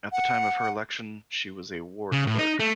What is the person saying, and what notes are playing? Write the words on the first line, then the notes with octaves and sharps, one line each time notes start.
At the time of her election, she was a ward clerk.
F#5
C#3
A2
D#4
A3